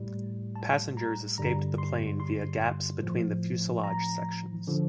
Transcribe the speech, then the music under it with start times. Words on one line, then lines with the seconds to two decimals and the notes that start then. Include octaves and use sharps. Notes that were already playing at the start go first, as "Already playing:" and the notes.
Passengers escaped the plane via gaps between the fuselage sections.
Already playing: A2 G3
0.56 A5
0.97 A#5
1.38 G2 D3 G3 A#5
1.78 C6
2.20 C6
3.02 A2 F3
3.84 A#5
4.67 D3 F3